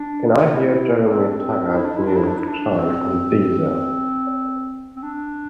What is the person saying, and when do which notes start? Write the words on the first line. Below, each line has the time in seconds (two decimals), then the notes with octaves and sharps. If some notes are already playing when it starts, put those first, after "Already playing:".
Can I hear Jeremy Taggart's newest chant on Deezer?
Already playing: D4
0.52 E4
1.08 C4
1.22 D4
1.36 C4
1.50 C4
1.65 D4
1.74 E4
1.85 D4
1.96 E4
2.07 D4
2.16 E4
2.27 D4
2.38 E4
2.48 D4
2.78 C4
4.96 C4
5.02 D4